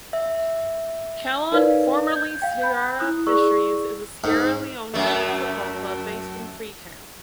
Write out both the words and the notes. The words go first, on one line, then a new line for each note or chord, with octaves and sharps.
Kallon, formerly Sierra Fisheries, is a Sierra Leonean football club based in Freetown.
E5
D#4 A#4 B4 C#5 D5 F5
G6 G#6
F5 G5
B5 G6
E4 D#6 F#6
E4 G#4 D5 C#6 E6
G#2
F#2 A3